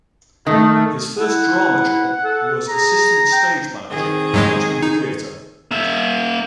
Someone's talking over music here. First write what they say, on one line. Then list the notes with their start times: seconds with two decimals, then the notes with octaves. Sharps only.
His first drama job was assistant stage manager at the Richmond Theatre.
0.47 D#3 A3
1.19 E4 F#5
2.24 A4
2.69 G#4 A#5
3.32 G5
3.90 D#3 C4 G#4
4.34 G#2 F#3 G#3
4.83 D#4
5.71 A#3 E5